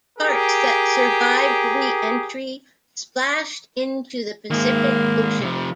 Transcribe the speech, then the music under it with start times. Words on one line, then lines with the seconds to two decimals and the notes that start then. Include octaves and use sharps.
Parts that survived reentry splashed into the Pacific Ocean.
0.19 G4 G#4 A#4
4.51 D#3 G#3 A#3
5.41 C3 F3